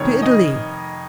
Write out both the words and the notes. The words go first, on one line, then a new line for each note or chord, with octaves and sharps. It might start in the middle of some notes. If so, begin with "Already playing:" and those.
"To Italy."
Already playing: F1 F2 D#3 C#5
D#5